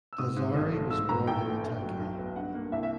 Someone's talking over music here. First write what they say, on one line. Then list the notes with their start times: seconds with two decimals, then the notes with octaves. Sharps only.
Azhari was born in Latakia.
0.13 E6
0.18 G#2 D#6
0.36 G#2
0.54 B1
0.73 A3
0.91 G#2 E6
1.09 G#2 A#5
1.27 A1 G5
1.45 A3
1.64 G1
1.82 F#3
2.00 B1
2.18 B3
2.36 G2 F#5
2.54 A#3
2.72 C2 E5
2.83 E5